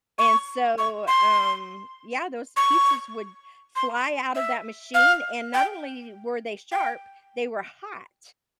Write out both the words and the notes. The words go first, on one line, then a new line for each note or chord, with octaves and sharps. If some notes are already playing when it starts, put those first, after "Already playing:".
And so, um, yeah, those pieces would fly out of that machine, and not only were they sharp, they were hot.
C#6
C#6
C6
C#6
C6
E5
F5
G5
G5